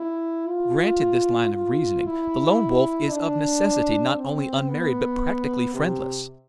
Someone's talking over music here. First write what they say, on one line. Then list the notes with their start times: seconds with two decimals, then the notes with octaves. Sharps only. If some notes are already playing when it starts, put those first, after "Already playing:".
Granted this line of reasoning, the Lone Wolf is of necessity not only unmarried but practically friendless.
Already playing: E4
0.48 F4
1.53 F4
2.06 E4
3.11 D4
4.16 C4
4.69 B3
5.74 C3